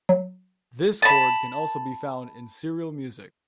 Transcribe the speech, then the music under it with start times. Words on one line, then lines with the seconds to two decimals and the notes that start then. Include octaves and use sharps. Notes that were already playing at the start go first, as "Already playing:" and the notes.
This chord can also be found in serial music.
0.09 F#3
1.02 A5 B5